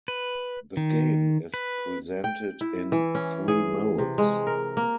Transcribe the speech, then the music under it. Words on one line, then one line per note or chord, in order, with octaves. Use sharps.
The game is presented in three modes.
B4
D#3
B4
G5
E4
E3
C#4
G#4
C3
G#3
A#4
A#3